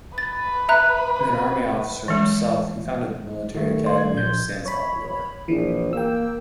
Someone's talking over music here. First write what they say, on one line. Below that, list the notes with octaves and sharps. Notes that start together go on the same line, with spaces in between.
An army officer himself, he founded the Military Academy of San Salvador.
B4 A6
E5 A#5 F#6
E3 G#3
D#3 A3
D5 C6
G#6
A#1 G6
C#5 B5
A#1 E3
A#3 G5 E6